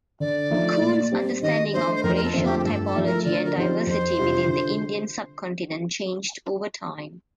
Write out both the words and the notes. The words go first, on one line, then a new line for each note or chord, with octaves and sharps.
Coon's understanding of racial typology and diversity within the Indian sub-continent changed over time.
D3 D5
F3 A3 D#4
A#2
G3 C4 G4
D#3 D#5
A3 D4 C5
C5
F2 A#4
A#4
A4
D3 F3 A3 C4
G4
G4
G2 A4
A4
F3 A3 D#4
A#4
D3 D5
A#4
F3 C4 D#4 G4 C5
F2 C5
C3 G3 D4 F4
D3